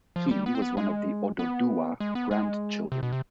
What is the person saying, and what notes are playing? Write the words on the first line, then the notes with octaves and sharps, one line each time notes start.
He was one of the Oduduwa grand children.
F3
G3
B3
C4
B3
G#3
B3
G#3
B3
G#3
C3
B2
C3